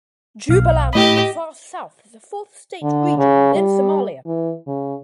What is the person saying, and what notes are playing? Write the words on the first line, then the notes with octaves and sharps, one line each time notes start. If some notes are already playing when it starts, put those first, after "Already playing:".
Jubaland in the far south is a fourth state region within Somalia.
B1 F5
A2 G4 D#5 B5
D3
C#3
G3
E3
C#3